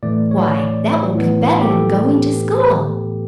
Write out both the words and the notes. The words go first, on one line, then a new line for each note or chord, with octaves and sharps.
"Why, that will be better than going to school!"
A2 E3 A3 D5
C#5
D5
A2 E3 B3
G4
A4